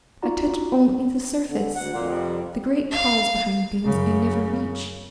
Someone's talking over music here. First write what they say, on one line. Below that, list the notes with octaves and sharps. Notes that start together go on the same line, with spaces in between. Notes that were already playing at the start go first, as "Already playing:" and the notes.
I touch only the surface. The great cause behind things I never reach.
D#4 F4 F#4 D5 F#5 A#5
D3
D2 F#5
F2 A#2
C3 F3 G3
F5
F#2 C#3